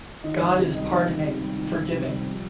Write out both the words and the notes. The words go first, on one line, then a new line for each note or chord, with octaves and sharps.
God is Pardoning, Forgiving.
D#3 D#5
C#2
C3
G3 D#5
D#3
E5
C#2
C3
G3
D#3
C#2 E5
C3
G3
F3